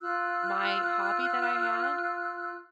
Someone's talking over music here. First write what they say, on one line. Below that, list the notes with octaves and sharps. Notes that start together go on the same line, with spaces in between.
my hobby that I had,
F4 E6 F#6